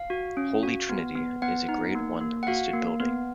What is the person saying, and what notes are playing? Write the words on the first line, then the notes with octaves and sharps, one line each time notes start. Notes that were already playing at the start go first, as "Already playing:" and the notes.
Holy Trinity is a Grade One listed building.
Already playing: F5
F#4
C#4
F#4
B3
B3
B3 F#5
D#4
A#3
A#3
F#5
F#4 F5
A#3
B3